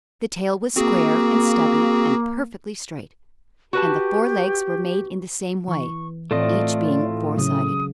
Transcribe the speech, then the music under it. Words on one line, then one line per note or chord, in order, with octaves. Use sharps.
The tail was square and stubby and perfectly straight, and the four legs were made in the same way, each being four-sided.
A#3 C4 F#4 G#4
F#4 G4 B4 A5
E3 C#6
A2 E3 A3 C4 F4 A4 D5 D#5
C#3 F#3 D#6